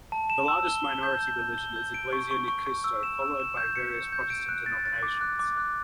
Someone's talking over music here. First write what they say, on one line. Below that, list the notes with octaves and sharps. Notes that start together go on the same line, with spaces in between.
The largest minority religion is Iglesia Ni Cristo followed by various Protestant denominations.
A5
E7
E6
G7
G7
G6
G6
G6
G7
G6
D7
C#6
C#6
C#6
C#6
E6
E7
E6
E7
G6
C#7
C#7
G6
D7
F#6
A6
A6
D6
F#6
D6
F#6